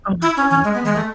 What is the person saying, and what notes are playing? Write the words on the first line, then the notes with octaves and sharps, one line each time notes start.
Oh, my goodness, yes.
E4
C#4
C#4
G#3
B3
G#3
A3